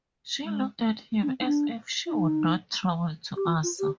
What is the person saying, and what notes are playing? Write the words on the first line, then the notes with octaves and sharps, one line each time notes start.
She looked at him as if she would not trouble to answer.
G#3
D4
C4
D#4
D4
F4
D#4
G4
F4
F4
G4